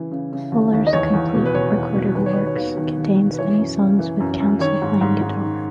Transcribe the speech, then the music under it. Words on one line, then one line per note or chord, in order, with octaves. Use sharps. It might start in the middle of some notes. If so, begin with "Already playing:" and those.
Fuller's "Complete Recorded Works" contains many songs with Council playing guitar.
Already playing: C#3 E3 E4
C#3
C#3
D#2
D#2
D#5
E2 C#5
E2
B2
B4
B2 C#5
E2
B2
D#3 B4
C#5
D#3 B4
C#5
D#2 B4
D#3
D#2
D#3
B4
E3 C#5
F#2
C#3
E3
F#2
F#2
D#3 C#5
G#2
G#2
G#2
D#3